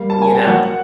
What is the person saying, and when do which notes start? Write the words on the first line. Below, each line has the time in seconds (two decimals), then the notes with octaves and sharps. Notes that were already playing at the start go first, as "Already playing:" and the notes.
you know,
Already playing: G3 A#3 F5
0.10 A5
0.18 A#3 G#5
0.34 G5
0.47 F#3 F#5